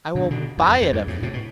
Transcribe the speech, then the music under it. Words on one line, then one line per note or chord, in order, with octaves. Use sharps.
"I will buy it of you."
B2 D3
B2 D3
E2
F2
F2
E2 G2
F2 A2
A2 C3
B2